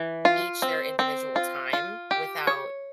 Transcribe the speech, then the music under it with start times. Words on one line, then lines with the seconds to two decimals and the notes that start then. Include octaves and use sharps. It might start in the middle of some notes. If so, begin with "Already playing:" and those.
each their individual time without
Already playing: E3
0.25 F4
0.62 C4
0.99 C4
1.36 F4
1.73 F4
2.11 G4
2.47 C#5